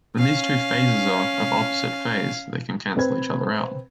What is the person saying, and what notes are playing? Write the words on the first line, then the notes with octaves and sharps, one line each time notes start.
When these two phasors are of opposite phase they can cancel each other out.
C#4 F5
C4 B4 G#6